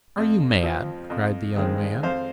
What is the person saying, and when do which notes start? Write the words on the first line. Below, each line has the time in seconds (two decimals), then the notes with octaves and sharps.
"Are you mad?" cried the young man.
0.18 F2
0.63 F3 C4
1.10 F2
1.56 D#3 G#3 C4
2.03 F2 C5 F5